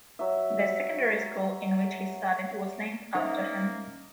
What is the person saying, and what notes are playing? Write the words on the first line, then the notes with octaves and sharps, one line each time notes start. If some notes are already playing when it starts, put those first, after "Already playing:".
The secondary school in which he studied was named after him.
F#3 E5
A#3 C#4 D#4 A#4 C5 E5